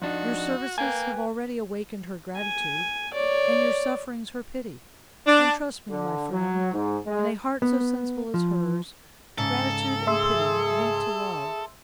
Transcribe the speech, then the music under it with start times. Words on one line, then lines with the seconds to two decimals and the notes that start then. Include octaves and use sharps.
Your services have already awakened her gratitude, and your sufferings her pity; and trust me, my friend, in a heart so sensible as hers, gratitude and pity lead to love.
0.02 F2 D4 D#4 F#4
0.78 A#3 B4 G5 G#5
2.36 G#5
3.13 C#5 D5
5.26 D4
5.90 D3
6.31 F#3
6.73 G#2
7.07 G#3
7.62 B3
8.34 F3
9.38 G#2 C#3 A4
10.07 G#4 E5 C6 E6